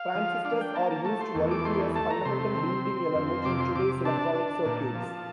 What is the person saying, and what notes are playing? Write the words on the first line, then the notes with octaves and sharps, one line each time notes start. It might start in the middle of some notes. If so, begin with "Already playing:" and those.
Transistors are used widely as fundamental building element in today's electronic circuits.
Already playing: F5
F3
D4 F5
G5
A#3 A5
A5
A3 A5
C6
E2
D6
A3 C6
A3 A5
A#5
C3 C6
C4
C4
F2
C3 D6
C6
C3 D6
D4 A5
D4
A#2
F3